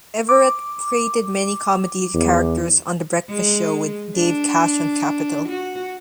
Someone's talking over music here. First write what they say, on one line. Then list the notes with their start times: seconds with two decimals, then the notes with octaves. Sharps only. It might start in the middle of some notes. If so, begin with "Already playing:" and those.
Everett created many comedy characters on "The Breakfast Show" with Dave Cash on Capital.
0.29 D6
2.14 E2
3.29 G#3
4.16 D4
5.48 F#4